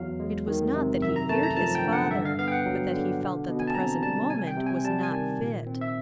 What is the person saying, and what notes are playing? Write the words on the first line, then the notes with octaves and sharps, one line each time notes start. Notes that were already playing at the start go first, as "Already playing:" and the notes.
It was not that he feared his father, but that he felt that the present moment was not fit.
Already playing: E2 F#3 F5
G#3
D#3
C3
F#2 E5
A#5
A3 A5
A#5
F3 A5
G5
D3
F#5
G2 E5
F5
B3 F5
G5
F#5
F#3
D3
B2
B2
G#5
A5
C4 A#5
G3 A5
C3 G#5
G5
C3
G#5
G3 A5
G#5
D#3
A#2
C4
E5